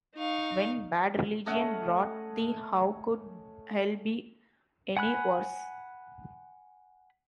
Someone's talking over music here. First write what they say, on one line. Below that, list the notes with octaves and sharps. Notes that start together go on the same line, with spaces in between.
When Bad Religion brought the How Could Hell Be Any Worse?
D#4 F5 C#6
A3 C#4 D#5 F#5
F#5 G#5 B5 F#6